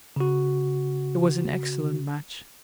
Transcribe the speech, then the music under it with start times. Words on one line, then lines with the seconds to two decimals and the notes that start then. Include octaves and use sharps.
It was an excellent match.
0.16 C#3 F#4